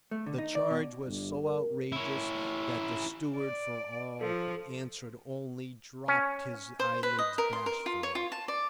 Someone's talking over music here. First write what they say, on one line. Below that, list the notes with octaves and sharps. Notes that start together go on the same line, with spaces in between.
The charge was so outrageous that the steward for all answer only dropped his eyelids bashfully.
A3
D3
D#4
D5
B2
G1
A#4
C#4 E4
D5
F3 A4
C#4
C5
B4
D#5
A#4
C6
A#4
F4
C#5
F4
A5
D5